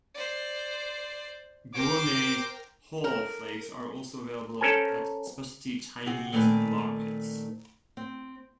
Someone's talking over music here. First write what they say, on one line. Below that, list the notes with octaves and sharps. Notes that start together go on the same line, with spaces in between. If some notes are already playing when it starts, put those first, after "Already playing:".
Gourmet haw flakes are also available at specialty Chinese markets.
C5 D5
A#4 C5 G5 D6
A#4
C#4 A4 A#4 C5 G#5
C3 F#4 G#4
A#2 D#3 A3 C4 B4 G#5
C4